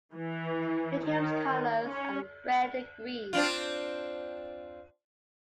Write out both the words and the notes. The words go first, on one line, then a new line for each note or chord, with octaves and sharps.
The team's colors are red and green.
E3
D#3
C#4
C4 D4 F4